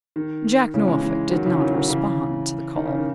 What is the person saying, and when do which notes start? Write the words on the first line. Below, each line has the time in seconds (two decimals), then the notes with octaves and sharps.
Jack Norfolk did not respond to the call.
0.16 D#3
0.74 C#3 E3
0.88 E3 G#3
1.02 E3 G#3
1.31 D#3 F#3
1.46 C#3 E3
1.60 D#3 F#3
1.74 D#3 F#3
1.89 C#3 E3
2.75 D#3
2.86 C#3
2.96 D#3